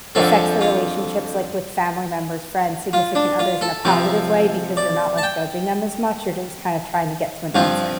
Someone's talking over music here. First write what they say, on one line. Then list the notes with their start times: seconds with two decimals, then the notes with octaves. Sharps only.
affects the relationships, like, with family members, friends, significant others in a positive way because you're not, like, judging them as much, you're just kinda trying to get to an answer.
0.15 F2 D3 F3 C4 A4
0.61 F4
2.93 F4
3.15 D4
3.39 F4
3.61 A4
3.85 C3 F3 C4
4.77 D5
5.18 A5
5.23 G5
7.55 G2 F3 C4 F5